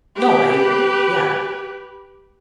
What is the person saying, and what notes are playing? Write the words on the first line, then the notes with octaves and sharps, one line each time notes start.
No, I agree, yeah.
G4 B4